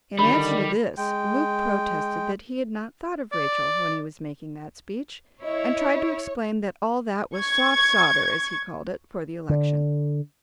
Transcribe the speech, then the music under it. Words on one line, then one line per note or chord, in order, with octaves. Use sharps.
In answer to this Luke protested that he had not thought of Rachel when he was making that speech, and tried to explain that all that was "soft sawder" as he called it, for the election.
D3 D#3 G3 B5
G#3 G5
D5
E4 C#5 D#5
C#6 G#6
D3